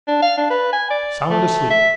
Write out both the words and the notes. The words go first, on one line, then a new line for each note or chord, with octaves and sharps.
Sound asleep!
D4
F5
D4
B4
G#5
D5
A3
E5